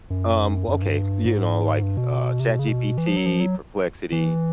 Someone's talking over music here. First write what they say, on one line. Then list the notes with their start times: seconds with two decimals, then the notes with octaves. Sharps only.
Um, well, okay. You know, like, uh, ChatGPT, Perplexity,
0.10 F#2
0.68 F#2
0.82 G2
1.25 G#2
1.83 G2
1.97 B2
2.40 C3
2.50 B2
2.59 C#3
2.68 B2
2.97 E3
3.07 F3
3.17 F#3
3.26 F3
3.40 F#3
4.12 E3